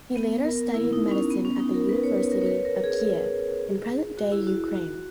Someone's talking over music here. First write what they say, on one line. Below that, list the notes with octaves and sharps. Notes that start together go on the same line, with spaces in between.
He later studied medicine at the University of Kiev, in present-day Ukraine.
B3
A#4
E4
D#4
C#4
B3
C#4
D#4
A#4
B4
C#5
B4
A#4
C#5
B4
A#4
G#4
F#4
E4
F#4
F#4